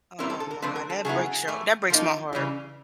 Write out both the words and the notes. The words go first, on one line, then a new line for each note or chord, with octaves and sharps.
Oh, my god, that breaks your that breaks my heart.
A#2 G3 C4 E4 A#4
A4
A4
A#4
D3 F3 A3 C4 B4
A#4
A4
C#3 F#3 B3 E4 G#4
A2 E3 A3
F3 A#3 D#4
C#3 E3 G3